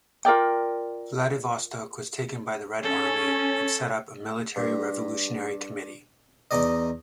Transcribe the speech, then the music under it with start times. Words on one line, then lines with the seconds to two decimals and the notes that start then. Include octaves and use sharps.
Vladivostok was taken by the Red Army and set up a Military Revolutionary Committee.
0.25 F4 A#4 D5 G5
2.83 C#4 A4
4.56 G2
6.51 E2 D#4 D5 D#5